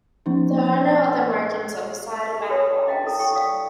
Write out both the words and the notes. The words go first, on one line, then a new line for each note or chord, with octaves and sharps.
There are no other markings on the side or back walls.
F3 A#3 B3 C#4 D#4
G4 A4 B4 C#5 A5
D4 D#5 F5 G5 A#5
E4 A4
G5 C#6
D5 F5 C#6 D#6